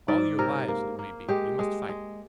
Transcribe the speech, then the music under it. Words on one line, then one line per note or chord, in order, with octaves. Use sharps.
All your lives, it may be, you must fight.
G#2 D5
C3 A#4
A#3
A#3
G#3 G4
G#3
G#3